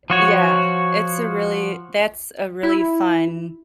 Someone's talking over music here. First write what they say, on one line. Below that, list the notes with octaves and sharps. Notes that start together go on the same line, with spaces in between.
Yeah, it's a really that's a really fun
F3 F#4 C#5
E4